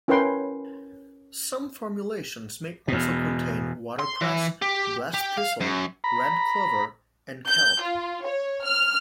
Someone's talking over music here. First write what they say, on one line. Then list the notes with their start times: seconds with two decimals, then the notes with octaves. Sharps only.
Some formulations may also contain watercress, blessed thistle, red clover, and kelp.
0.08 C#4 E4 A#4 B4 G5 C6
2.88 E2 B2
4.00 C6
4.21 E3
4.62 G4
5.14 G4
5.37 F5
5.60 F#2
6.04 A#5 B5
7.48 G6
7.82 F4
8.25 C#5
8.64 F6